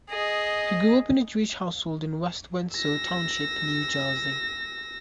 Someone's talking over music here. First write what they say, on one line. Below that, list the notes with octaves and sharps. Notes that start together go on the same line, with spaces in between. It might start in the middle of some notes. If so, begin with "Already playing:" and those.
He grew up in a Jewish household in West Windsor Township, New Jersey.
G#4 D#5
E6 A#6